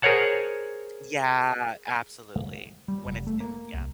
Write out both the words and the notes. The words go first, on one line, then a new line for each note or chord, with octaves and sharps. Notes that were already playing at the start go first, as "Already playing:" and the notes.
Yeah, absolutely, when it's in yeah.
G#4 A#4 C5 C#5 F#5 A5
G3
F1
A3
A#3
C2